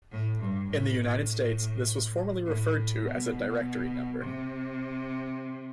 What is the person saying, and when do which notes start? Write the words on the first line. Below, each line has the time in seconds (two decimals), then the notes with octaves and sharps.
In the United States, this was formerly referred to as a "directory number".
0.12 A2
0.41 G2
0.70 A2
1.00 A2
2.46 A2
3.05 B2
4.22 C3